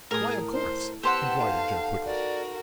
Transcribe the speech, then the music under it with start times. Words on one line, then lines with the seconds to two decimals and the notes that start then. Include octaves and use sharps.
"Why 'of course'?" inquired Joe quickly.
0.11 A2 G#4 A#4 D#6
0.52 C5
1.03 B3 G4 C5 F#5 A5 E6
1.39 D#4 A4 F5
2.05 F#4 A#4 D5